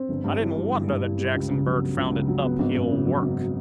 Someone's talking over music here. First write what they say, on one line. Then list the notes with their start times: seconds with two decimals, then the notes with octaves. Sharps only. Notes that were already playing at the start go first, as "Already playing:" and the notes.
I didn't wonder that Jackson Bird found it uphill work.
Already playing: C4
0.09 G1
0.24 G2
0.41 E3
0.56 G3
0.72 G1
0.88 G2
1.04 E3
1.19 G3
1.34 C#2
1.50 C#3
1.66 F#3
1.82 B3
1.97 C#2
2.12 C#3
2.28 F#3
2.44 B3
2.59 G#1
2.75 F#2
2.90 C#3
3.06 F#3
3.22 G#1